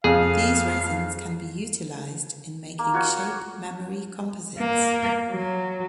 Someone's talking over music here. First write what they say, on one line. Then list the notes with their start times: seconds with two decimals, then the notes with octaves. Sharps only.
These resins can be utilized in making shape memory composites.
0.04 F2 G#4 F5
2.79 A#3
2.93 F4 F#4 C#5
4.58 A#3
5.31 F#3